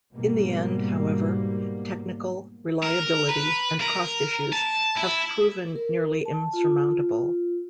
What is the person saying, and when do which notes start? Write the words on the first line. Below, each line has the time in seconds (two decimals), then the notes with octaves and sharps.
In the end, however, technical, reliability, and cost issues have proven nearly insurmountable.
0.12 G#2 B2 G3 A#3
2.83 A#4
3.29 B4
3.81 A#4
4.52 A5
4.97 E4
5.75 A#4
6.26 A5
6.53 F4